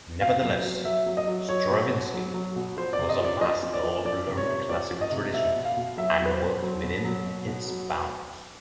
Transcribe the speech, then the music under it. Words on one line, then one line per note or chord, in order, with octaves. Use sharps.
Nevertheless, Stravinsky was a master of learned classical tradition and worked within its bounds.
B2 F5
F#3
F#3
F#3 E5
F#3
D#5
F#3
F#3 C#5
B2
B2
F#3
F#3
B2
F3 C5
D5
C3
D#5
F3 D5
F3 D#5
F3
D5
F3
F3 D5
C3
C#5
C3
F3 D5
F3
D#5
C3
B2 E5
B2
F5
B2
F#3 E5
F#3
B4
C5
B2
F#3
B2
F#3
B2
B2
F#3